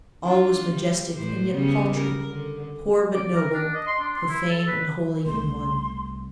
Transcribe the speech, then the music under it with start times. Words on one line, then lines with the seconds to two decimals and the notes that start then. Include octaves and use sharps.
All was majestic and yet paltry; poor but noble; profane and holy in one.
0.24 D4 F4
0.69 G3
1.13 A2 E3 C5
1.52 C#3 G3 B3
1.97 A#4
2.28 D3
3.14 D5
3.35 A#4
3.54 D4
3.74 D#5
3.87 C6
4.00 D4
4.16 C6
4.29 E4
4.50 A4
4.68 B4
5.26 C2 A3 C6